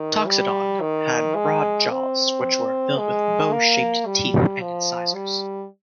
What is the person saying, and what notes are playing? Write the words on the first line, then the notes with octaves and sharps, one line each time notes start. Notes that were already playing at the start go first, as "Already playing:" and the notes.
"Toxodon" had broad jaws which were filled with bow shaped teeth and incisors.
Already playing: D#3
G3
D#3
G#3
C4
G#3
A#3
G3
F3
G3